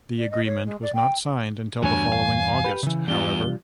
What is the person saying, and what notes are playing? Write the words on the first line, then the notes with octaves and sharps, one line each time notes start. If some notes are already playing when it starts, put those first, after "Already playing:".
The agreement was not signed until the following August, however.
D5
D#5
C#5
G#3
D5
G5
E2 G2 D4 F#4 C#5 G#5
F5
G4 B4
C#3 E3
E2 G3 D4 F4 G7